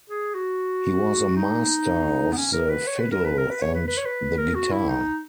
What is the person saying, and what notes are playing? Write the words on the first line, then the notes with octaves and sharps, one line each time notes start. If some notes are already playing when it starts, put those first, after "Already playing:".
He was a master of the fiddle and the guitar.
G#4
F#4
D#4
B3
C#4
A#4
B4
C#5
B4
A#4
B4
A#4
B4
C#5
B4
B4
C#5
B4
A#4
F#4
E4
D#4